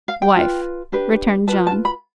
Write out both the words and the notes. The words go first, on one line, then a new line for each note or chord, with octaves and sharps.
"Wife," returned John.
F5
G5
F4 B4
D4 G4 B4
F4 B4 A5
A5
B5